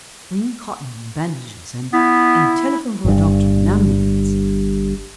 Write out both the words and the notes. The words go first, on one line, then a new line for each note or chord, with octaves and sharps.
"Bring cotton and bandages, and--and telephone for a doctor, an ambulance!"
B3 E4
G1 G2